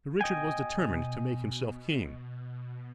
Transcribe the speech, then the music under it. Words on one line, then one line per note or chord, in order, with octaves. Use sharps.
But Richard was determined to make himself king.
B2 D#5 G5 G#5